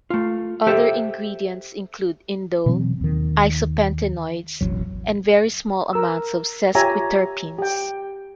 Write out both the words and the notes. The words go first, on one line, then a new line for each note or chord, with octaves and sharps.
Other ingredient include indole, isopentenoids and very small amounts of sesquiterpenes.
A3 F4
G4 A4 C5 E5
B2 E3 F#3 C4
D#2 D#3
E1 A1 F2 F#3
A#4 E6
F4 G4 C#5 E5 G#5 A#5
G4 G5